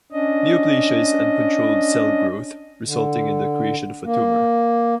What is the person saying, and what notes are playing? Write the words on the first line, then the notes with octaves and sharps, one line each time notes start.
Neoplasia is uncontrolled cell growth, resulting in the creation of a tumour.
C#4 D4 D#5
D3
A#3